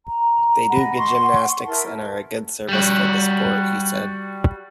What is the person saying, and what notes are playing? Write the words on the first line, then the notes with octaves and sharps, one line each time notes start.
"They do good gymnastics and are a good service for the sport," he said.
A#5
D#5 F#5 B5
C6 C#6
E4 A#4 A5
G3 F#4